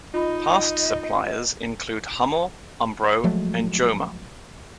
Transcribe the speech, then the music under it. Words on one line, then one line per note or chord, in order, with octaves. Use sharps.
Past suppliers include Hummel, Umbro and Joma.
D#4 F4 D#5 B5
F3 F#3 G#3 A3